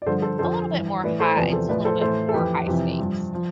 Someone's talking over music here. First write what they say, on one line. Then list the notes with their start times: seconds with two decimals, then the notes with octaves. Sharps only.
a little bit more high it's a little bit more high stakes
0.02 D5
0.06 G2 D3 F3 A4 C5
0.22 A4 C5
0.38 F2 D3 F3 A4 C5
0.71 G2 E3
1.04 A2 E3 B4 D5
1.20 A4 C5
1.36 E2 C3 F3 B4 D5
1.53 A4 C5
1.69 A2 F3 B4 D5
1.85 A4 C5
2.01 A2 E3 A4 C5
2.29 A4
2.34 F2 E3 G4 B4
2.66 F2 C3 E3
2.99 G2 F3
3.34 F3